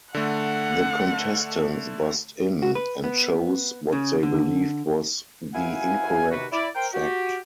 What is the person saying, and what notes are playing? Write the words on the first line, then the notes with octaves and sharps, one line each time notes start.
The contestants buzzed in and chose what they believed was the incorrect fact.
D3 A3 F#5
F#4
B4
B3
C#3
D3
F#2 E4 F5 F#5 G#5
D#2 C3 F#4 B4
E4 D5
A#4 C5 G5
F#4 G4